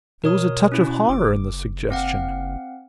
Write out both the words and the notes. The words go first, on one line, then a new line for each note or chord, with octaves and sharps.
There was a touch of horror in the suggestion.
B2 A#4 C#5 D#6
C#4 E4 F#4
F#1 D6
C4 F5 F#5